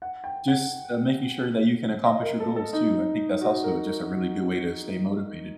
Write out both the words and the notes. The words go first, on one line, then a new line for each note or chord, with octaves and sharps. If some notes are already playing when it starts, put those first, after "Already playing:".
just, uh, making sure that you can accomplish your goals too. I think that's also just a really good way to stay motivated.
F#5
G5
F#5
D#5
A#4
A4
A4
D#4
F#4
A#4
A#4